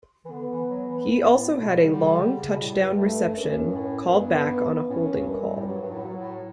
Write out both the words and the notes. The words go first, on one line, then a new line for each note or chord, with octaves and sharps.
He also had a long touchdown reception called back on a holding call.
E3
D3 B3
E3
F#3
E3
F#2
G2
A2
B2
C#3 G3
D3
C#3
D3
C#3
B2
A2 G3
G2
G2 A3
G2
F#2 C#4
G2
F#2
G2
A2
F#2
G2 B3
A2 C#4
G2
F#2
G2
F#2 G3
A2
G2 F#3
G2
A2
F#3
A2